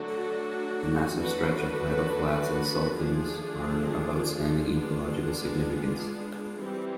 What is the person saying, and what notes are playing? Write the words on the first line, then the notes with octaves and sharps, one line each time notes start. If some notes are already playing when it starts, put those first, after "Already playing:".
The massive stretch of tidal flats and saltings are of outstanding ecological significance.
Already playing: D3 F#3 A3 D4 F#4
F#3 A3 D4 F#4 B4
F3 A3 D4 F4 G#4
G#3 B3 D4 F4 G#4
E3 G3 C4